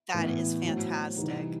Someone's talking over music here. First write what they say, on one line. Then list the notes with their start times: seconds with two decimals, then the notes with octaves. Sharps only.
That is fantastic.
0.14 A2 E3 B3 E4
0.64 A2 F#3 A3 C4
1.16 C3 E3 G3 D#4